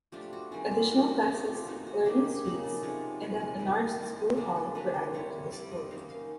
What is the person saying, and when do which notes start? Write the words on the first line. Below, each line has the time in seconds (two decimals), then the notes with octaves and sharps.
Additional classes, learning suites and an enlarged school hall were added to the school.
0.12 F3 A3 D4 F4 G4
0.33 F#4
0.51 D#3 G3 C4 F4 G#4
0.71 G4
0.90 D#3 G3 C4 F4 F#4
1.09 F#4
1.28 E3 A3 C4 D#4 G4
1.47 F4
1.66 E3 A3 C4 D#4 F#4
1.87 F#4
2.05 C#3 F#3 A#3 D#4 G4
2.25 G4
2.44 C#3 F#3 A#3 D#4
2.63 A4
2.82 C3 F3 G#3 C#4 C#5
3.21 C3 F3 G#3 C#4 B4
3.40 A#4
3.59 D#3 G3 C4 E4 B4
3.98 D#3 G3 C4 E4
4.36 D3 F#3 A#3 D4 G#4
4.56 A4
4.75 D3 F#3 A#3 D4 B4
4.94 C5
5.13 G3 C4 E4 C#5
5.52 G3 C4 E4 D5
5.71 D#5
5.91 D#3 F#3 A#3 C#4 F5
6.10 F5